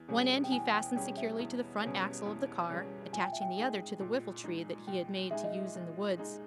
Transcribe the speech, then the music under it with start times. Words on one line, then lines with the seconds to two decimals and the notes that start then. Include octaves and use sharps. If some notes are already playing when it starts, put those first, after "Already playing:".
One end he fastened securely to the front axle of the car, attaching the other to the whiffletree that he had made to use in the woods.
Already playing: E2
0.08 B2 G3 C#4 G#4
0.44 G5
0.52 E2 G#5
0.73 G5
0.95 B2 G3 C#4 G#4 G5
1.17 E5
1.39 E2
1.83 B2 G3 C#4 G#4
2.26 E2
2.70 B2 G3 C#4 G#4
3.13 A#2 G#5
3.23 G5
3.32 E5
3.42 G5
3.57 G#3 D#4 G#4
4.00 A#2
4.44 G#3 D#4 G#4
4.87 A#2 G5
5.31 G#3 D#4 G#4 E5
5.44 D#5
5.57 E5
5.75 A#2
6.18 G#3 D#4 G#4